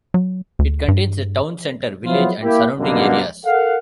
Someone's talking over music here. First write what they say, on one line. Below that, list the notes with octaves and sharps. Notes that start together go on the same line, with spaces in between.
It contains the town center village and surrounding areas.
F#3
D2
G2
F3 F#3 B3 E4 F4
A#3 E4 G4
F#2 B2 D3 G3 A#3 B3
A4 A#4 F5 F#5